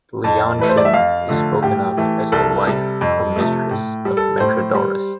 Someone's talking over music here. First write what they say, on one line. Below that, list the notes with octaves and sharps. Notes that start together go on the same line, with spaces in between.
Leontion is spoken of as the wife or mistress of Metrodorus.
F2 A5
E3 A3 B4
C5
D5
E5
F2 F5
D3 F3 A3
A2 G4
E3 A3
C2 A4
C3 G3
F2
C3 F3 A3
A2
G3
A4
A2 C5
G3